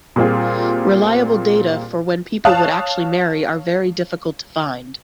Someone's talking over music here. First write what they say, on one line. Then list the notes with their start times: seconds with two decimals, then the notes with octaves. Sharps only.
Reliable data for when people would actually marry are very difficult to find.
0.16 A#2 G3 C4 F4 G#4
2.45 C#5 F5 A5 D#6 F#6